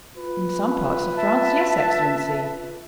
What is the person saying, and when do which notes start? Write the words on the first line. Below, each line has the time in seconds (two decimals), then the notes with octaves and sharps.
"In some parts of France--yes, excellency."
0.17 F4 B4
1.16 E5 A5